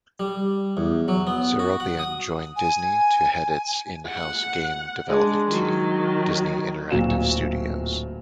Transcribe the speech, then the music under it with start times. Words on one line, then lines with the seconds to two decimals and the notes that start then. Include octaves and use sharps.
Seropian joined Disney to head its in-house game development team, Disney Interactive Studios.
0.20 G3
0.77 E2
1.08 F#3
1.27 B3
1.59 F#4
1.80 F#5
1.99 D#6
2.56 G#5
4.07 F#5
5.08 G#3 D4
5.46 D#3 F#3
6.90 D1 A#2 F#3 F5 E7